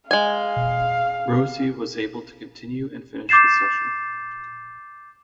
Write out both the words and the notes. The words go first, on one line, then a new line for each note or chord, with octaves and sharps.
Rossi was able to continue and finish the session.
G#3 F5 G#5
D6 G6 A6 C7 E7